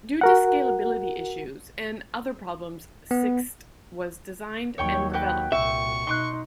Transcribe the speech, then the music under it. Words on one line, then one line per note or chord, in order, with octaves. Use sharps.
Due to scalability issues and other problems sixxsd was designed and developed.
F#4 A#4 F#5
B3
D#2 F#3 C#5 G5 C#6
F#4 B4 G5
C2 A#2 E5 C#6
B2 D#4 C6 D6 F#6